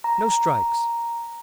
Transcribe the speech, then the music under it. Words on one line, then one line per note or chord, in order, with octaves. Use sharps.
No strikes!
A#5